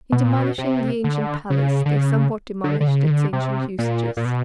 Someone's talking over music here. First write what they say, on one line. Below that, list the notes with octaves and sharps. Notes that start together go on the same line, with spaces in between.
In demolishing the ancient palace they somewhat demolished its ancient usages.
B2
A#2
B2
C3
D3
C#3
D3
C#3
D3
D3
C#3
D#3
D3
C3
A#2
A#2
B2